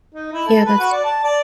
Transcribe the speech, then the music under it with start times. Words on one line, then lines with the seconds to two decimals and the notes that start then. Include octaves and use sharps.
Yeah, that's
0.15 D#4
0.33 E4
0.47 A4
0.65 B4
0.79 F#4
0.92 D5
1.04 A5
1.24 D5